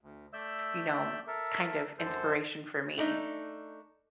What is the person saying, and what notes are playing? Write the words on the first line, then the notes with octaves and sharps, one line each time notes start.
you know, kind of inspiration for me.
D2
A3 D5 E5 E6 G6
A4 A#4 E5
F#2 D3 A4 C5
A3 D4 D#4